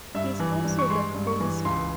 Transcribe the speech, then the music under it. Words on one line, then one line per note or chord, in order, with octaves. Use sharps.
He has also been a policeman.
G2 E5
E3
G2
C#6
G#3 C6
G2
C#6
E3
C#2 C6